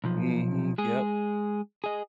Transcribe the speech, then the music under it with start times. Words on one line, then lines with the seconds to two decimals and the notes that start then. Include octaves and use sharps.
Mhm, yep.
0.04 B1 F3
0.78 G#3 G#4
1.84 G#4 D#5